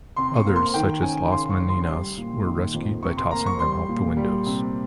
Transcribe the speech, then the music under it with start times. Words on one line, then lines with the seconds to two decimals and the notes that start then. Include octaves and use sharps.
Others, such as "Las Meninas", were rescued by tossing them out the windows.
0.16 C3 C6
0.36 C#6
0.46 A#3
0.56 C6
0.74 D#3 G5
1.02 C#4 G#5
1.32 C#3 C6
1.50 C#6
1.60 C#4
1.70 C6
1.88 G3
2.17 A#2
2.46 D#3
2.74 F2
3.02 C3 C#6
3.17 C6
3.31 A#3 A#5
3.46 C#6
3.60 G3 C6
3.88 A#2
4.17 G3
4.46 C3